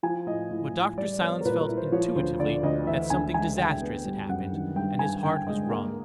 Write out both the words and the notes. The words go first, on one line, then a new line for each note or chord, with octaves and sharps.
But Dr. Silence felt intuitively that something disastrous had happened, and his heart was wrung.
F3 G#5
A2 D#5
A2
A2
G3 D5
B3 C#5
A#4
A#2 B4
A#4
E4
C5
F3 C#5
D2 C5
D3 D5
D2 D#5
E3 E5
D2 G#5
G#3 G#5
D2 G5
B3
G3
F#2 F#5
D#3
G2 G5
G2 G#5
D3 G5
G#3 D#5
A#3